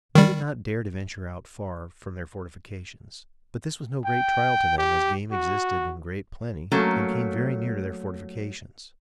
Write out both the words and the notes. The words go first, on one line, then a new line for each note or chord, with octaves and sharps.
They did not dare to venture out far from their fortifications; but, this was no great trial to them, as game existed in great plenty and came very near their fortifications.
D#3 G3
G5
G4
F#4
F#3 A3 A#3 C#4